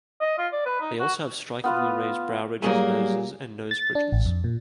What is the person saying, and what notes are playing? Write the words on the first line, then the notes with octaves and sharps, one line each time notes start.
They also have strikingly raised brow ridges, noses, and nose bridges.
D#5
F4
D5
B4
D#4
F#4
B3 F4 B4
F#3 G3 A#3 G#4 G#5
A6
D4
A1
F2
A#2